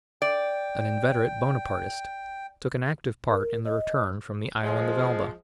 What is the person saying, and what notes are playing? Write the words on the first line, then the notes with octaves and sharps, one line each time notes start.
An inveterate Bonapartist; took an active part in the return from the Island of Elba.
D5 G5
A#4
D#5
F3 G#3